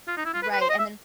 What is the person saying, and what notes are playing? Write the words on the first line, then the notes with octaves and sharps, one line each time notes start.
Right, and then s
F4
D#4
E4
F4
B4
B4
C5
D#5
E5